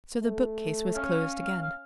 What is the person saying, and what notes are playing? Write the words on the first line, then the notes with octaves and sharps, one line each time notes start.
So the bookcase was closed again.
A3
C#4 F5